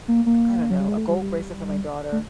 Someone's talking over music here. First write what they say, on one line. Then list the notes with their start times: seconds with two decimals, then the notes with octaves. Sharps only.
I don't know, a gold bracelet for my daughter,
0.08 A#3
0.26 A#3
0.70 F#3
0.80 G3
0.88 G#3
0.97 A3
1.09 G3
1.22 G3
2.12 A3